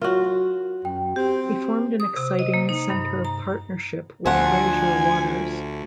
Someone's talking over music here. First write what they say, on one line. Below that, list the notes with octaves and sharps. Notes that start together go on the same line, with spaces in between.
He formed an exciting centre partnership with Fraser Waters.
F#3 F4 F#4 A#4 C#5
F#2 G5
C4 G4
D#6
C3
D#5
A#3
D#4
G2
A#5
D2 F3 F#5 G#5